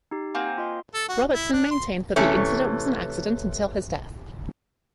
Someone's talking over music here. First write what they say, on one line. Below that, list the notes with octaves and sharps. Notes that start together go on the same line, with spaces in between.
Robertson maintained that the incident was an accident until his death.
D#4 G4
A#3 C4 F#4 G#5
F4 D#5 C6
A4
F#4
E4
D4
C6
C3 E3 A3 C#4